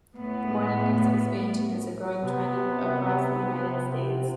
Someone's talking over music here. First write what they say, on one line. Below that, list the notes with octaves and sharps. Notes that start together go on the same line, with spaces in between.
The morning news expansion is a growing trend across the United States.
A2 B3
C3 B3